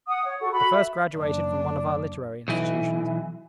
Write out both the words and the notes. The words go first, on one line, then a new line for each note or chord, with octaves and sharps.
The first graduated from one of our literary institutions.
F#5 D#6
C#5
F#4 A4 F#5 C#6
F#4 A4 B5
E5
F#1 D4
B1 E3